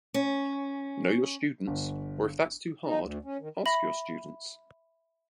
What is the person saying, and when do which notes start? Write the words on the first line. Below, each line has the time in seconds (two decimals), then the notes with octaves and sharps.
Know your students, or if that’s too hard, ask your students.
0.14 C#4
1.67 G1
2.85 D#4
3.01 D2
3.25 C#4
3.40 D#3
3.66 E5 B5 A#6 F#7